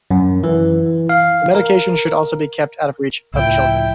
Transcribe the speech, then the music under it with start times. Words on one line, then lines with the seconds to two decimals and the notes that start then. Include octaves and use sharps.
The medication should also be kept out of reach of children.
0.11 F#2
0.43 E3
1.09 F5
1.55 A#4
3.34 C#2 A2 F3 E4 G5